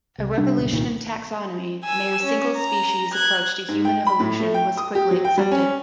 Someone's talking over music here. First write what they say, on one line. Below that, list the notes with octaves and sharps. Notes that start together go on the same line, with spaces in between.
A "revolution in taxonomy", Mayr's single-species approach to human evolution was quickly accepted.
C2
C3 G3 D4
D#1 C2
C2 A#2 D3 D#3
G#5 E6
C#4
A#5
F#6 G#6
G#2
G5
B5
A2
A3
G5
D#6
G4
F#3
G5
G3
C#4